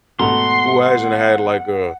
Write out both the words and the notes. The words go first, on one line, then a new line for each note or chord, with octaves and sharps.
who hasn't had like, uh
G#1 B2 A3 F#5 A#5 C6